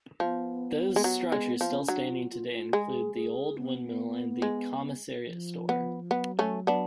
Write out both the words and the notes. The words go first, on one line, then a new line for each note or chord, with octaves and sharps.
Those structures still standing today include The Old Windmill and the Commissariat Store.
F3 B3
G#3
F#3
G#3
F3
B3
C#4
F#3 D4
F4
F4
F#4
F4
G#3 G#4
G#4
B3
G#3
F3
B3
F#3 B3
A3 C#4
B3 D4